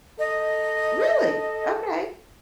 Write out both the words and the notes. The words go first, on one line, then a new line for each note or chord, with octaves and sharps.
Really? Okay.
A4 D#5